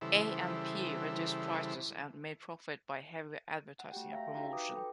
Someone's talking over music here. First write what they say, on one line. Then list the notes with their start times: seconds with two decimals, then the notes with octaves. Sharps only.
A and P reduced prices and made profit by heavy advertising and promotion.
0.01 C#3 E3 G3 E4 A4 C5
3.79 F#5
3.92 A3 F#4 G4 G5
4.12 C#5 E5 F5 A#5 A#6
4.35 D#4 F#4 G4 F5 G5 A#5
4.53 F#4 B4 G5 G#5 D6 D#6
4.74 A4 B4 G5